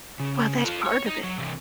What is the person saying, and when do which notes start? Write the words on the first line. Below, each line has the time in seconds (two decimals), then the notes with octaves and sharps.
Well, that's part of it.
0.20 C#3
0.64 F4 A4
0.86 C#5
1.06 D#4
1.23 F#3
1.38 C3 E3